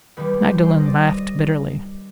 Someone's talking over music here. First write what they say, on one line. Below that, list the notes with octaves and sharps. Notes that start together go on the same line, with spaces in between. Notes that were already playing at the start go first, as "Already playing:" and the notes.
Magdalen laughed, bitterly.
D#2 D#3 G3 B4
C5
C5
D#5
D5
D#5